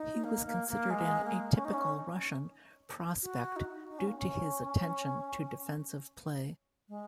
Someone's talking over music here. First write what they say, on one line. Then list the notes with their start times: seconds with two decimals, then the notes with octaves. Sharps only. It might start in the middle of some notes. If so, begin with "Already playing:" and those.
He was considered an atypical Russian prospect due to his attention to defensive play.
Already playing: D#4
0.24 A#3
0.46 A#3
0.68 A#3
0.90 G#3
1.24 A#3
1.57 C#4
1.65 D#4
1.73 C#4
3.22 F#4
3.56 D#4
3.89 D#4
3.99 C#4
4.08 A#3
4.17 C#4
6.89 G#3